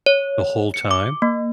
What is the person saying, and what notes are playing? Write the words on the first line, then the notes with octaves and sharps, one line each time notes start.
The whole time?
C#5
C#7
D6
A#3